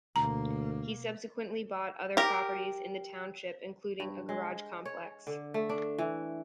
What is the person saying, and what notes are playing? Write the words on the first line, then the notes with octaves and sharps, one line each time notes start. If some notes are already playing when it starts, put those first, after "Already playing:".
He subsequently bought other properties in the township, including a garage complex.
D2 B2 A#3 A#5
G4 A#4
G2
G#3
C#5
D3
A3
D4
E3